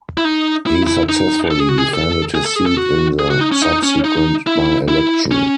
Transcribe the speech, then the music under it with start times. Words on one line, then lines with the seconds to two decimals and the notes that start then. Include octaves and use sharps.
He successfully defended his seat in the subsequent by election.
0.17 E4
0.25 D#4
0.66 E4
0.87 E4
1.09 D#4
1.51 A4
1.60 G#4
1.69 F#4
1.78 G#4
1.94 A4
2.35 G#4
2.46 A4
2.56 G#4
2.66 A4
2.77 F#4
3.19 G#4
3.30 F#4
3.41 D#4
3.52 C#4
3.62 D#4
3.83 C#4
4.04 D#4
4.47 E4
4.88 E4
5.31 C#4